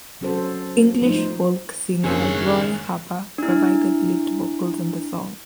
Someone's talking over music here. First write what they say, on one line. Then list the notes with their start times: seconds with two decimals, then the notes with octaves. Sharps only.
English folk singer Roy Harper provided lead vocals on the song.
0.21 F#3 C#4 F#4 A4 C5
1.02 F3 G3 A3 D#4 C5
2.04 F#1 D#3 D4 G#4 A#4 C#5 F#6
3.38 D4 E4